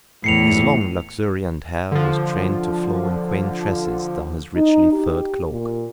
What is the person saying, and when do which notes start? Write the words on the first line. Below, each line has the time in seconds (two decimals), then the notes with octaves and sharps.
His long luxuriant hair was trained to flow in quaint tresses down his richly furred cloak.
0.24 E2 A2 C7 C#7 F7
1.92 D3 F3
4.56 D#4
4.93 G4
5.50 A#2